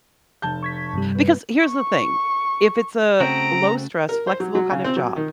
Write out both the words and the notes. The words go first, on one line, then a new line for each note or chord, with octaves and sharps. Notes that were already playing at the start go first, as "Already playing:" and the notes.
because here's the thing, if it's a low-stress, flexible kind of job
F1 A5 G6
C#6 G#6 B6
G2 C3 G3
B3
C#6
C#3 A3 C4 F#4 A#5 D7
A#4
C5
F#3
F#3
C#3
C4
F#3
D#3